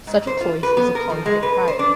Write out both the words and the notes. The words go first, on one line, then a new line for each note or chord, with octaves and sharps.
Such a choice is a "conjugate prior".
G#2
C5
F4
B4
B3
A#4
F3
G#3
B4
C5
D4